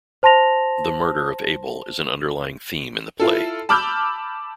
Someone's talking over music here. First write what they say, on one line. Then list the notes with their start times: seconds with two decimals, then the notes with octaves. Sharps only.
The murder of Abel is an underlying theme in the play.
0.23 C5 A5 C6 A#6 F7
3.20 E4 F4 A4
3.69 A5 B5 D6 E6 F6 G6